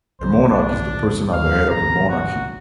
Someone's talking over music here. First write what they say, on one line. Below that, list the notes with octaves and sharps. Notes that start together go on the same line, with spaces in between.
A monarch is the person at the head of a monarchy.
C2 D#3 C5
B1 G2 F3 D4
A1 D2
D#2 F#3 F5
G#1 C#2 A#2 A#5
F#4